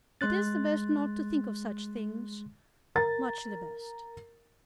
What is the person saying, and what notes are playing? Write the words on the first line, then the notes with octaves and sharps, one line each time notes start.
It is the best not to think of such things--much the best.
G#3 C6 F#6 A6
A#4 A#5 A6